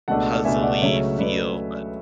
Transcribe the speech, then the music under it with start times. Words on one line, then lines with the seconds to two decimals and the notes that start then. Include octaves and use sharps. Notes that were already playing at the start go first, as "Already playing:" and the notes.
puzzle-y feel but,
0.08 C#2 B2 A3 D4 F#5 A5
0.45 C#2 B2 A3 D4 E5 G#5
0.63 D5 F#5
0.81 C#2 C#3 F#3 A3 C#5 E5
1.18 C#2 C#3 F#3 A3 B4 D5